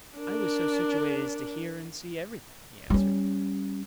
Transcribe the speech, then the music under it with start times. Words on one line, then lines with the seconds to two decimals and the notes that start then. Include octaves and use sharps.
"I was so situated as to hear and see everything," he answered.
0.18 D4 A#4
2.90 G3 C#4